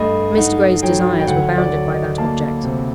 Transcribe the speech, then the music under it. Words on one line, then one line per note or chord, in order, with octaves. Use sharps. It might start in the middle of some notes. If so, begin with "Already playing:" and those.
Mr. Gray's desires were bounded by that object.
Already playing: G2 A3 D#5
D#4 F#5
F#3 G5
G5
D2 F#5
D5
F#3
D#5
A#3 A5
C3